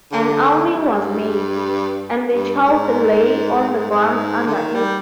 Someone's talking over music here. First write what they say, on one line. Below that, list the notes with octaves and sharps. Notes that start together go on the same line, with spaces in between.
An awning was made, and the child lay on the ground under it.
D3
F2
G2
G2
G#2
G#2
D3
D#3
G3